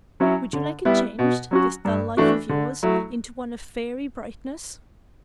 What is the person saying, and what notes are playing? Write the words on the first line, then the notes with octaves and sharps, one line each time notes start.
"Would you like it changed--this dull life of yours--into one of fairy brightness?"
F#3 C#4 E4
D3
G3 B3 E4
B2
F#3 C#4 F#4
G2
E3 A3 D4 F#4
D3
F#3 A3 E4